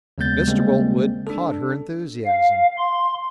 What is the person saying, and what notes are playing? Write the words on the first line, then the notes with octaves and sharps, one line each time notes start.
Mr. Boltwood caught her enthusiasm.
D#2 C#3 G#3 B3 G6 A6
C#3 G3 G#3 A#3 C4
D4 A4
F5
C6